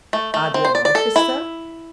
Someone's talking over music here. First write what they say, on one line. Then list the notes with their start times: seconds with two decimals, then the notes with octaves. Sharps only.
"Are you an officer?"
0.13 A3
0.34 A3
0.54 C4
0.65 C5
0.75 D5
0.85 D5
0.95 A4
1.16 E4